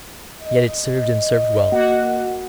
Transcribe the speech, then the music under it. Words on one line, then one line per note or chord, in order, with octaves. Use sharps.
Yet it served and served well.
D#5
A#3 F#4 F#5